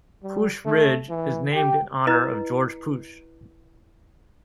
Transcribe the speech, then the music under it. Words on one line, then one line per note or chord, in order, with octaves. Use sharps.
Pusch Ridge is named in honor of George Pusch.
G3
A3
E3
G4 G5
E4 B4 D#5 A#5